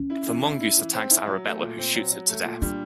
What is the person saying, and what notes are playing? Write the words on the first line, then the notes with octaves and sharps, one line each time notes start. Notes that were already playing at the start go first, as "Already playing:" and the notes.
The mongoose attacks Arabella who shoots it to death.
Already playing: C#4
E4
E3
E4
E4
E3
C4
E4
F#3
A3
A#2
C4
F#3
F#3
A3
A#2
G3 D4